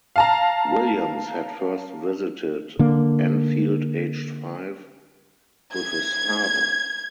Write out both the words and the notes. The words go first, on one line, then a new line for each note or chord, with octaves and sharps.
Williams had first visited Anfield aged five with his father.
F5 A5 A#5
D3 A#3
G#6